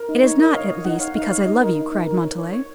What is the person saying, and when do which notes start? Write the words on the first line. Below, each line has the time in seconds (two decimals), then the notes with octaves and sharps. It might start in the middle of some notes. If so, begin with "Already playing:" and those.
"It is not, at least, because I love you," cried Montalais.
Already playing: A#4
0.09 D#4
0.23 D#4 C#5
0.39 A#4 D#5
0.54 C#5 F5
0.69 C#5 D#5
0.85 D#4 F#5
0.99 C#5 F5
1.15 D#4 F5
1.30 C#5 F5
1.46 D#4 D#5
1.61 A#4
1.76 D#4
1.92 D#4
2.07 A#4
2.22 C#5
2.38 C#5
2.52 C#5